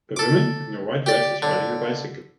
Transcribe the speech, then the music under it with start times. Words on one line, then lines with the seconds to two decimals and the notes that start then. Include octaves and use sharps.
A woman in a white dress is riding a bicycle.
0.16 A4 D6
1.06 G4 D5
1.42 D3